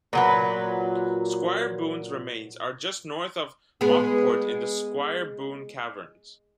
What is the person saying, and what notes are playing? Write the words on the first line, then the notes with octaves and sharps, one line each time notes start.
Squire Boone's remains are just north of Mauckport in the Squire Boone Caverns.
A#2 F#3 B4
G#3 B3